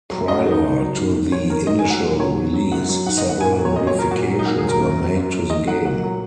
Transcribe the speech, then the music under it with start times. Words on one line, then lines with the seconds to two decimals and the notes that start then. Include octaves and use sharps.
Prior to the initial release, several modifications were made to the game.
0.11 F#3
0.28 F#2 D#5
0.39 F#4
0.45 D#3
0.51 D#4
0.62 G#2
0.80 F#3
0.98 G#2
1.15 D#3
1.32 G#2 C#5
1.50 D#3 A#4
1.67 G#2 D#5
1.79 G#5
1.84 F#3
1.90 F#5
2.02 A#2
2.19 F#3 C#5
2.36 G#2
2.54 F#3
2.72 F#2 F#5
2.89 F#3
3.06 G#2 F#5
3.18 D#5
3.24 D#3
3.29 F#5
3.41 A#2 G#5
3.52 F#5
3.59 F#3
3.65 C#5
3.76 A#2 D#5
3.87 C#5
3.94 F#3
3.99 A#4
4.10 A#2 F#4
4.28 F#3
4.39 D#4
4.46 A#2 F#4
4.58 G#4
4.63 F#3
4.69 A#4
4.80 F#2
4.98 F#3
5.15 F#2
5.32 F#3
5.50 G#2 D#5
5.68 F#3 F#5
5.85 A#2 F#5
6.03 F#3